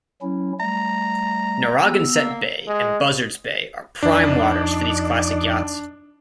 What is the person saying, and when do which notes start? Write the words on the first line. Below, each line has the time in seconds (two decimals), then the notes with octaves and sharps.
Narragansett Bay and Buzzards Bay are prime waters for these classic yachts.
0.22 F#3 C#4 E4
0.60 G3 A3 A#5
1.83 B3 E6
2.15 A#3
2.68 G#3
4.03 F2 D4 D#4 D5